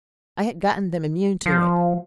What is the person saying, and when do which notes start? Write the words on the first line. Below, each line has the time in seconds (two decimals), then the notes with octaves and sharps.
I had gotten them immune to it.
1.46 F3